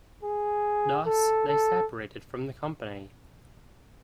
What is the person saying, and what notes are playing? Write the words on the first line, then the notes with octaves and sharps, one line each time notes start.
Thus, they separated from the company.
G#4
A4
A4